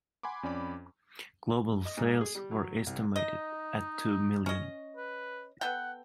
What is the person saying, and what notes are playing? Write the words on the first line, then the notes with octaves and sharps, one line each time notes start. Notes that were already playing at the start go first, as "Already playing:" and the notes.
Global sales were estimated at two million.
F#5 G#5 B5 C6 D6
F2 C#4 D5 B5 D6
D#5
G#2
G#4
G3
F#3
C2
D#4 D#5
C#4 D#5
B4
B3 A4 F#5 G5